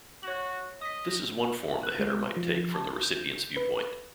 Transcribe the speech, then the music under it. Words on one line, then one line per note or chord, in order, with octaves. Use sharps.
This is one form the header might take from the recipient's viewpoint.
F#4 C#5 F#7
D#5 D#6 B6
F#6
G#3
F3
A5
G6
B4